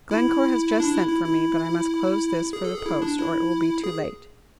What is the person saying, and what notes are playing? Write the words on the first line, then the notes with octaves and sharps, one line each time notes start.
Glencore has just sent for me; but I must close this for the post, or it will be too late.
E4
D4
E4
E4
E4
G#4
A4
G#4
E4
D4
E4
G#4